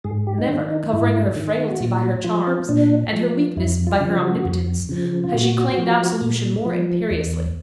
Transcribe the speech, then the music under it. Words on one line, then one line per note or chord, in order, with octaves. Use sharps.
Never, covering her frailty by her charms, and her weakness by her omnipotence, has she claimed absolution more imperiously.
G#2 G#4
G4
D#4
D#3 D4
D#4
G#2 E4
D#3
F#4
A#2 F4
F4
F#4
F3 F4
C4
A#2 D4
F3
F2 E4
F4
C#3 F3
F#4
F2
C#3 F3
F4
A#2 F#4
F3
A#2
F3
E2